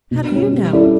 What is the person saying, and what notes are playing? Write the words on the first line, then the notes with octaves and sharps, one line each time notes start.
"How do you know?"
B2
G3 C#4
G3
C#4 E4 A4 D5